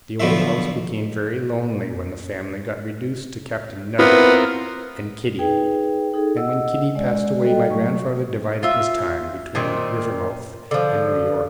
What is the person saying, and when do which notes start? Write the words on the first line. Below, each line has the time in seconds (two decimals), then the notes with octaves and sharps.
The old house became very lonely when the family got reduced to Captain Nutter and Kitty; and when Kitty passed away, my grandfather divided his time between Rivermouth and New York.
0.20 B1 B2 D3 F3 A3 E5
3.99 B3 C4 E4 F4 A#4
5.39 D#4 G#4 B4 G5
6.14 D#4 G#4 A4
6.37 D#5 F#5 E6
6.95 G#3 D5
7.41 G3 F#4 A4 D#5 G5
7.70 F#3 A3 C#6
8.63 F4 E5
9.55 A#2 D#3 C4
10.71 D3 F3